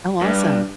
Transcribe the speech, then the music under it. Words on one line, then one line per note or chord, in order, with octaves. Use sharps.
Oh, awesome.
G2